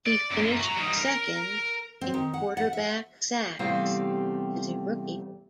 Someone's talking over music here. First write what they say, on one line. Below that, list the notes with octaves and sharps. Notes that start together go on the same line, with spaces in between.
He finished second in quarterback sacks as a rookie.
D5
F#2 A#2
F#4 A#5
G3 D#4
A#4
C4
D#3
F#5
F#5
E5
E2 C3 G3 A3 C4 F5